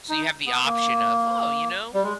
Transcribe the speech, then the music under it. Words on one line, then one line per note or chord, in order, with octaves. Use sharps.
So, you have the option of, "Oh, you know,
D#4
B3
A#3
G3
G#3